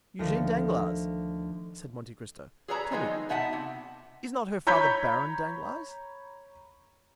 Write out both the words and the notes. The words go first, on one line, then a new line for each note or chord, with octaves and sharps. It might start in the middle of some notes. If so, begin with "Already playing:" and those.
"Eugenie Danglars," said Monte Cristo; "tell me, is not her father Baron Danglars?"
D2 D#3 F3 A#6
G#4 A4 B4 C#5 A5 A#5
D#3 F3 F#3 G#3 B3 D#4
B2 D#4 E5 F#5 G#5 A5
C3
C#5 A#5 B5 G6 G#6 B6